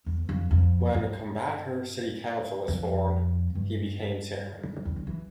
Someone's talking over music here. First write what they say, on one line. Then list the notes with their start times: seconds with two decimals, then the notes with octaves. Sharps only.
When Coimbatore City Council was formed, he became chairman.
0.06 E2
0.29 F2
0.51 F2
0.94 G2
2.68 F2
3.55 G2
4.85 E2
4.96 D3
5.07 E3